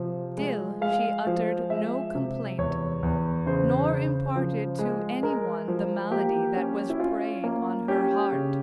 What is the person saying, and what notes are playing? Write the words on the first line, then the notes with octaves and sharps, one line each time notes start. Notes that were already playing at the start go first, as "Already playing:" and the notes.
Still she uttered no complaint nor imparted to any one the malady that was preying on her heart.
Already playing: C3 F3
G#3
G#3 F5
F3
G#3 E5
C3
E2 C#5
E2
C#3 C5
C#3
F3
G#3
G#3 A#4
F3
A#3 G4
C#4
E4
C#4 F4
A#3
C#4 G4
C#3